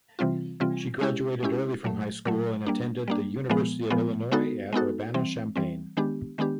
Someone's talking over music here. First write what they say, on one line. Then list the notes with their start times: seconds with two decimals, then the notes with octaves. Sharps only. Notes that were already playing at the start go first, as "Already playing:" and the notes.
She graduated early from high school and attended the University of Illinois at Urbana-Champaign.
0.19 C3 E3 G3 C4 F4
0.60 C3 E3 G3 C4 F4
1.01 G#3 C#4 E4 G4
1.43 G#3 C#4 E4 G4
1.84 A#2 F#3 A3
2.25 A#2 F#3 A3
2.66 G3 A#3 D4
3.08 G3 A#3 D4
3.49 A#2 F3 G#3 B3
3.90 A#2 F3 G#3 B3
4.32 G#3 B3 D#4 F#4 A4
4.73 G#3 B3 D#4 F#4 A4
5.14 E3 G3 C4
5.56 E3 G3 C4
5.97 D#3 G#3 B3 D4 G4
6.38 D#3 G#3 B3 D4 G4